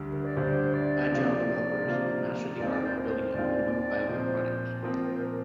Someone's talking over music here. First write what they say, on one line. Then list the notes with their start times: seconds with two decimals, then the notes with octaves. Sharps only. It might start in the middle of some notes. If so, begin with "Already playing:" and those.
Agile developers have mastered the art of building a minimum viable product.
Already playing: D2 D3 G3 D4
0.12 A#4
0.25 D5
0.37 D2 D3 G3 D4 C5
0.74 D5
1.10 C3 F3 A#3 F4
1.85 C3 F3 A#3 F4
2.59 D#2 D#3 G#3 C4 F4 D5
2.74 D5
2.85 C5
2.97 A#4
3.09 C5
3.34 D#2 D#3 G#3 C4 F4 D5
3.71 D5
4.08 A#2 F3 C4 C5
4.83 A#2 F3 C4 A#4
5.08 A#4
5.15 C5
5.23 A#4